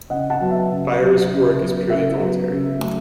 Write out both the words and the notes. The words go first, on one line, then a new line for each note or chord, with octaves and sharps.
Firer's work is purely voluntary.
C#3 D#5 F#5
F#5 A5
F#3 B3
E5
C#3
F#3 B3
C#3
F#3 B3
C#3 E5
F#3 B3
C#3
F#3 A3